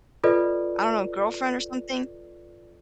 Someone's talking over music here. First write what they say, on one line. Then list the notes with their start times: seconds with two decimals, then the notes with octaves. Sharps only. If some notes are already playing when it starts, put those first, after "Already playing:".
I don't know, girlfriend or something?
0.24 F4 A4 B4 D5 D#5